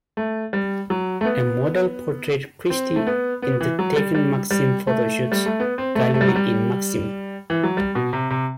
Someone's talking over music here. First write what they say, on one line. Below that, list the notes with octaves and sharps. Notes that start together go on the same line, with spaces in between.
A model portrayed Christie in the "Tekken Maxim Photoshoot" gallery in "Maxim".
A3
G3
F#3
A3
B3
C4
A3
B3
B3
E3
F#3
G3
G3
G3
A3
G3
A3
B3
C4
A3
A3
G3
F#3
G3
E3
F#3
G3
B2
C3
C3